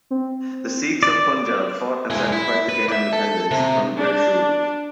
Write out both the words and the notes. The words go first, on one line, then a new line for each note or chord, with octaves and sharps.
The Sikhs of Punjab fought and sacrificed to gain independence from the British rulers.
C4
D5
G#3 E4
E4
B4
D5 E5
A4
C3
D4